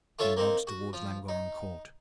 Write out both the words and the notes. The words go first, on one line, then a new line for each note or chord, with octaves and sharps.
He nods towards Llangorren Court.
F4 A4 C#5 E5 F5
A#3 C4 D#4
F#4
F3
D#4